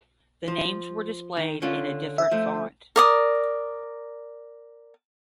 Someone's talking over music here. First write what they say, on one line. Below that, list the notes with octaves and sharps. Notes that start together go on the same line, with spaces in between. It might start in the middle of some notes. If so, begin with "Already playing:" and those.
The names were displayed in a different font.
F3
D#3
D3 C#4 F4
E5
F3 A3
A#4 D5 D#6